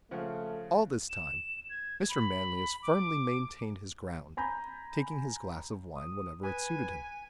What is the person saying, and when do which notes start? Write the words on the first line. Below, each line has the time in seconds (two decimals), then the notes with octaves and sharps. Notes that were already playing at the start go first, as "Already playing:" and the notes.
All this time, Mr. Manlius firmly maintained his ground, taking his glass of wine whenever it suited him.
0.11 C#3 F3 A3 F#5
1.10 E7
1.70 G#6
2.09 B5
2.83 D6
4.37 G#5 A#5 B5 G6
5.96 D#6
6.43 B4 G#5